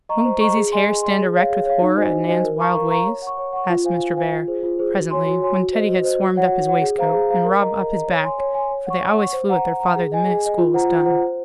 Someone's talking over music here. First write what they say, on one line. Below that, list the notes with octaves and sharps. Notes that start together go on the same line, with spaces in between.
"Won't Daisy's hair stand erect with horror at Nan's wild ways?" asked Mr. Bhaer, presently, when Teddy had swarmed up his waistcoat, and Rob up his back, for they always flew at their father the minute school was done.
D#5 A#5 C#6
C5
D#5 A#5 C#6
G#4
D#5 G#5 C6
G#4
D#5 G#5 C6
G#4
C#5 F5
G#4
C#5 F5
D#4
F#4 C5 D#5 G#5
D#4
F#4 C5 D#5 G#5
A#4
F5 A#5 C#6
A#4
F5 A#5 C#6
C#5
F#5 C#6
C#5
F#5 C#6
F4
C5 F5 G#5
F4
C5 F5 G#5
F4
G#4 C5
F4
G#4 C5
F#4
C#5 G#5 C6
F#4
C#5 G#5 C6
F#4
C5 D#5
F#4
C5 D#5
F#4
C#5 F#5
F#4
C#5 F#5
G#4
C5 F5 A#5
G#4
C5 F5 A#5
A#4
D#5 A#5
A#4
D#5 A#5
C#5
G#5 C6
C#5
G#5 C6
C#5
F#5 C#6
C#5
F#5 C#6
C5
F#5 A#5
C5
F#5 A#5
G#4
D#5 G#5
G#4
D#5 G#5
F4
C5 F#5 A#5
F4
C5 F#5 A#5
C5